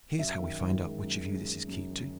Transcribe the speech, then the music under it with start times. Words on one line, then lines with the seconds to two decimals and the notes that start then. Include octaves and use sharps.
"Here's how we find out which of you this is keyed to."
0.19 F#2 E5
0.40 D#3
0.61 D#3
0.83 G#3
1.04 F#2
1.25 G#3
1.47 G#3
1.68 F#2
1.90 D#3